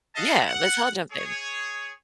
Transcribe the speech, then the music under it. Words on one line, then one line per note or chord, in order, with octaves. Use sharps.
Yeah, let's all jump in.
G#4 A4 D#5 F5 F#5 A5
F#5
G#4 C#5